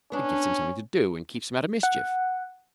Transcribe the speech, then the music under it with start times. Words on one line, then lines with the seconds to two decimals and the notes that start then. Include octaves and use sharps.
It gives him something to do and keeps him out of mischief.
0.12 B3 C#4 D4
1.83 F#5